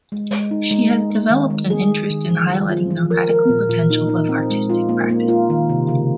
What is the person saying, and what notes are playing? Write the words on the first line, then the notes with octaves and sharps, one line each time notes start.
She has developed an interest in highlighting the radical potential of artistic practices.
G#3
G#3
D#4
G#3
G#3
G#3
D#3
G#3
G#4
G#3
D#3
F3
F3
F4
F3
A#4
A#4
A#2
A#2
D#4
D#4
C4
G#3
F4
A#3
A#3
F4
D#3
C3
C#3